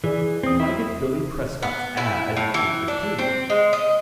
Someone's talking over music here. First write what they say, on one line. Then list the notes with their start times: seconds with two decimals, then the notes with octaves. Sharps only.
If I get Billy Prescott's ad: two fifteen.
0.04 E3 G#4 D5
0.43 E2 B3 C4 D#6
0.60 E4
1.63 B3
1.97 E4
2.37 A2
2.54 E3
2.88 D4
3.19 C4
3.50 G#3
3.73 D#5